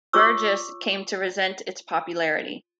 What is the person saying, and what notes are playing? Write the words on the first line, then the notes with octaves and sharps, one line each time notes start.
Burgess came to resent its popularity.
F4 C#5 C#6 D6 E6